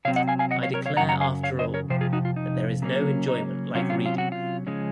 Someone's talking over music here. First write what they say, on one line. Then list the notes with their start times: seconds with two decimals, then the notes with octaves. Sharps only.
I declare after all there is no enjoyment like reading!
0.05 C3 F#3 C4 C#5 F5
0.16 D#5 F#5
0.28 F5 G#5
0.39 F5 G#5
0.51 D#5 F#5
0.62 C#5 F5
0.74 A#4 C#5
0.86 C#5 F5
0.97 F#2 C#3 F#3 F#5 A#5
1.09 F#5 A#5
1.21 F5 G#5
1.43 C#5 F5
1.59 C5 D#5
1.74 A#4 C#5
1.89 F2 C3 F3 C5
2.01 F4 G#4
2.13 D#4 F#4
2.25 F4
2.36 D#4
2.82 C#3 F#3 A#3 C#4
3.28 D#4
3.74 C3 F#3 C#4 F4
3.90 F4
4.06 F4
4.18 F#4
4.32 F4
4.67 C#3 F3 G#3 C#4